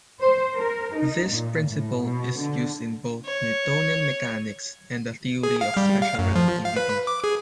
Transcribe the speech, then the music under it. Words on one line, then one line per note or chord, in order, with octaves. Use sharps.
This principle is used in both Newtonian mechanics and the theory of special relativity.
C5
A#4
D#4
A#2
A2
B2
D3
C#5
G#4
F5
G3
F5
F#2
F3
F5
B4
D6
G#4